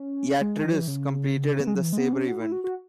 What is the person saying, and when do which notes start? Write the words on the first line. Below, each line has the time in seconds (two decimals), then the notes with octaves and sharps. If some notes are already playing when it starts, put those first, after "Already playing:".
Iatridis competed in the sabre event.
Already playing: C#4
0.41 G#3
0.64 E3
0.72 F#3
0.79 E3
0.88 C#3
1.60 B3
1.67 G#3
1.75 F#3
1.82 E3
1.93 G#3
1.98 B3
2.13 C#4
2.28 F#4
2.40 E4
2.52 F#4
2.64 F#4